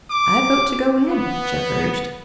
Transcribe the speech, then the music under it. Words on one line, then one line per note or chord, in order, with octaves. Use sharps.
"I vote to go in," Jeff urged.
D6
B3